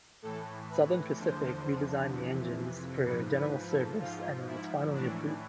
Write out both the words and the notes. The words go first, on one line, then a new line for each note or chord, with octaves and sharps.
Southern Pacific re-designed the engines for general service and it was finally approved.
A2 E3 A4
B4
E2 D3 F3 C5
F2 C3 E3
G#2 F3 B4
B4
A4
G#2 F3 F4
E4
A2 E3 D4